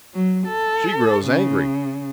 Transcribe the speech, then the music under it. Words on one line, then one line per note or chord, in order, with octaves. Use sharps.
She grows angry.
F#3
A4
C#3